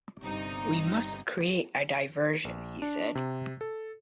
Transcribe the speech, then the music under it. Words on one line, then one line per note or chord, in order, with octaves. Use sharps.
"We must create a diversion," he said.
G1 G2 C3 D#4
A#1
D4
C3
A4